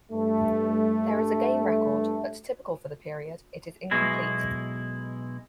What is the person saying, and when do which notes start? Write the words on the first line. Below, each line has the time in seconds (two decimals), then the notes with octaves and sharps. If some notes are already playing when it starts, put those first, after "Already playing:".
There is a game record, but typical for the period, it is incomplete.
0.12 G2 A3
3.91 B1 B2 G#3 E4